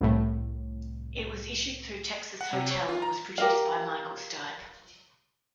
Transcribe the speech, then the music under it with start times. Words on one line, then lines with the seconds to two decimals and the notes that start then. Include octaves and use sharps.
It was issued through Texas Hotel and was produced by Michael Stipe.
0.01 C2 A2
2.41 F#5
2.53 C3
2.71 C#5
2.89 F4
3.02 A#5
3.38 G4 A#4 F5